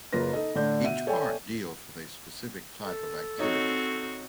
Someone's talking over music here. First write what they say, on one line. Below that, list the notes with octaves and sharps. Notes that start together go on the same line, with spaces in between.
Each part deals with a specific type of activity.
F#1 C#3 A#3 F4 B4 A#6
D#4 A4 D#5
A2 D3 A3 D4 G6
B2 E5 F#5 D#7
A4 C#5 D5 E5 G5 G#5
A4
C4 D#4 F#4 C#5